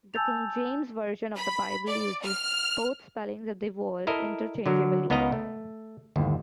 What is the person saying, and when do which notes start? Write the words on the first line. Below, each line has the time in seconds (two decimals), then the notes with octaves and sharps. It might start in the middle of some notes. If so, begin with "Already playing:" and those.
The King James Version of the Bible uses both spellings of the word interchangeably.
0.14 G#5 A5 E6 G6 A6 F7
1.36 B5
1.88 D5
2.23 F6
4.07 E4 A4 A#4 D#5
4.66 D3 F#3 A#4
5.10 C#2 B3 D#4 A#4 D#5 A#5
5.32 A3
6.16 G1 D#2 A2